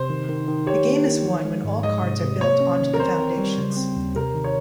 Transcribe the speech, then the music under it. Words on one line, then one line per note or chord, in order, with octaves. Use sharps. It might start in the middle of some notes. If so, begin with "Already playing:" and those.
The game is won when all cards are built onto the foundations.
Already playing: C3 C5
D#3
D#3
D#3
G4 C#5
A#3
D#3
F3
G#3
G#2
G#3 D#5
C3
C3
A#3 C#5
C#4
D#3
A#4
C4 C5
C4
G3
C#3
C4
D#2
C3 A#4
D#3
C#5